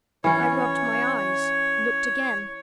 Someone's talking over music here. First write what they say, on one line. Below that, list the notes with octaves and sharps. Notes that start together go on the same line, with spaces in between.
I rubbed my eyes; looked again.
E3 C#4 C#5